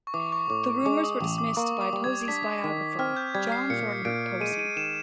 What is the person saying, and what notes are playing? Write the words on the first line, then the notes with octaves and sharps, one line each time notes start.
The rumors were dismissed by Posey's biographer, John Thornton Posey.
C#6
E3 D6
C#6
A2 D6
C#6
G#3 D6
D#6
A1 D6
D6
A#3 C#6
D6
G3
G#6
D4 B6
D#3
C4 F6
G6
G3 G#6
C7
A#2 C#7
A#2 D7
G#3 D#7
D#7
D#3 E7